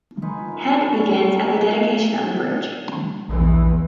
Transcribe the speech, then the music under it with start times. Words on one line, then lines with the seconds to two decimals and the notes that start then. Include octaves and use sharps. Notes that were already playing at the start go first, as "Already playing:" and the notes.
"Head" begins at the dedication of a bridge.
0.22 D#4 F4 G#4 B4
0.48 F#2 F#3
0.81 C#3 C#4 F#4
1.02 F3 A#3 C#4 A4
1.26 C#3 F#3 G3
1.39 A#3
3.29 A#1 E2 E3